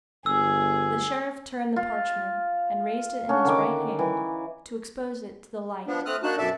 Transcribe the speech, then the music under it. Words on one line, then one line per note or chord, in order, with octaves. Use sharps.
The sheriff turned the parchment, and raised it in his right hand, to expose it to the light.
G1 G#4 E6
F4
C#4 D4 F#5
D3 D#3 D6
E3
F3 B3 D4
A3 C4 D#6 F6 F#6
A#3 D4 D#4 F#4 A5 F#6
F#2 B2 A4 D5 E5 A5